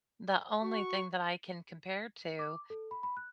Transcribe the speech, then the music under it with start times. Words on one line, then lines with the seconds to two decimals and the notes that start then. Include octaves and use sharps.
the only thing that I can compare to
0.62 F#4 C#6
2.39 D6
2.70 A4
2.91 B5
3.03 B5
3.17 F#6